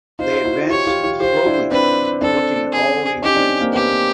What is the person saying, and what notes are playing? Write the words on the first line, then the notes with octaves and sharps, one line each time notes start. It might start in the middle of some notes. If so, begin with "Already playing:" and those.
They advance slowly, looking at all these things.
D#4 F4 C5
E4 F#4
F4 G4 C#5
F4 G4
F4 G4
F4 G4 C5
D4 E4
C4 D4 B4
C4 D4 A4
G#4
C#4 D#4 G4
C4 D4
A#3 C4
B3 G4
B3